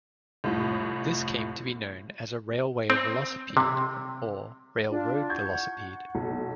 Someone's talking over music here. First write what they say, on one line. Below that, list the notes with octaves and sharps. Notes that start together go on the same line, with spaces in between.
This came to be known as a "railway velocipede" or "railroad velocipede".
C2 F2 A2
C4
C3
D4 F4
F#5 C#6 G6 G#6
B1